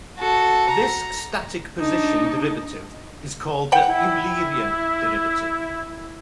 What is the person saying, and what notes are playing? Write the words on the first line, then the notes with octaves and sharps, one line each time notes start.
This static position derivative is called the Eulerian derivative.
F#4 A4
A#5
D4 D#4
G3 F#5 G5
E4